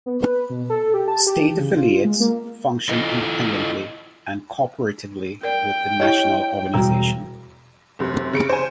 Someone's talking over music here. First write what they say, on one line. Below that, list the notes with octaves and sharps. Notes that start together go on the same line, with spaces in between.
State affiliates function independently and cooperatively with the national organization.
B3
B4
B2
A4
G4
A5
G4
E3
C#3
F4
G#3
A#3
E4 F4 A4 D#5
A#4 D5 G5
E4 G4 C#5 D#5
E1 G3 F#4 G5 A#5
F1 F#2 C3
C#3 C#7 D7
C5 G#5